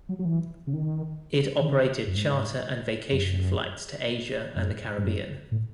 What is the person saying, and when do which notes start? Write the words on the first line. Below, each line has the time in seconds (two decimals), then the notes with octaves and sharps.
It operated charter and vacation flights to Asia and the Caribbean.
0.09 F#3
0.19 F#3
0.25 E3
0.67 C#3
0.73 D#3
1.61 D#3
1.69 C#3
2.07 F#2
2.16 G#2
3.12 F#2
4.56 F#2
4.98 G#2
5.03 F#2
5.51 A2